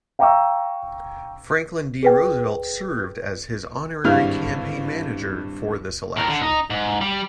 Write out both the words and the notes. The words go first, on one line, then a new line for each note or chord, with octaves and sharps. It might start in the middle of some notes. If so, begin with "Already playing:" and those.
Franklin D. Roosevelt served as his honorary campaign manager for this election.
F5 G5 A#5 C#6 D6 E6
G#4 B4 G5
G#1 G2 G3 E4 F5 F6
A2 A#4
D3
D#4
G#2
G3